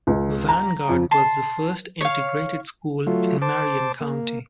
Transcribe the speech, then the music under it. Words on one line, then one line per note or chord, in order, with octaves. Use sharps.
Vanguard was the first integrated school in Marion County.
C#2
A#5
F2
A5 C6
C#5 F5
F#3 A3 F4
C5 A5 D6
A#3